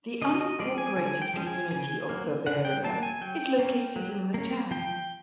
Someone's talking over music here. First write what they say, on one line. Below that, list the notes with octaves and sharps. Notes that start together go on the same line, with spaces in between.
The unincorporated community of Bavaria is located in the town.
D3 D#5
D#5
F3 G#3 C#4 D5
G#5
D3 G#5
G5
F3 G#3 C#4
G#5
C#3 G#5
F#3 A#3
C#3 F#5
G5
F#3 A#3 A5
G#5
F#3 G5
A#3 C#4
F#3
A#3 C#4
F3 G5